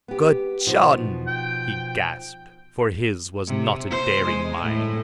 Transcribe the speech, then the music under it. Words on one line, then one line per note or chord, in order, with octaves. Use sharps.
"Good Jon!" he gasped; for his was not a daring mind.
B3 G4
B2 F3 D#4
G5
C3
C5
G#3
A2